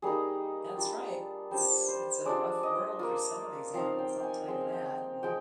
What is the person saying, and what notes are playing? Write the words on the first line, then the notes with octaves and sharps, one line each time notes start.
That's right, s it's a rough world for some of these animals, I'll tell you that, and
G3 A#3 D#4 G#4
G3 D4 F4
G3 D4 F4 C5
C5
G#3 D4 F4 D5
D#5
A#3 F4
F3 C4 D#4 F5
G5
G5 G#5
F3 G#3 C4 G5
F5
G5
F3 G#3 G5